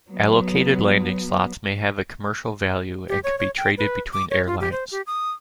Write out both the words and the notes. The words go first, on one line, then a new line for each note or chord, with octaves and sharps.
Allocated landing slots may have a commercial value and can be traded between airlines.
F#3 B3
G4
C#5
C#5
G5
B4
D6
C#5
F4
G4
C5
G4
D#6